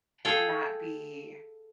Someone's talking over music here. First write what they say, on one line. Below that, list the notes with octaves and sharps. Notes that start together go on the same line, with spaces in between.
not be
G#4 A4 F5 G5